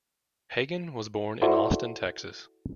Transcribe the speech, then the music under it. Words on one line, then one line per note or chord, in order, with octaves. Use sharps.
Hagan was born in Austin, Texas.
E4 F#4 A4 C5 D5 E5